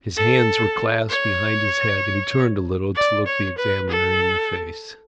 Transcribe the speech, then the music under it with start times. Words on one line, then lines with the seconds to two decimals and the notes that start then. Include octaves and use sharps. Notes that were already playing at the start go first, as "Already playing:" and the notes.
His hands were clasped behind his head, and he turned a little to look the examiner in the face.
0.17 A4
1.09 C#5
2.95 D5
3.26 C#5
3.58 B4
3.89 A4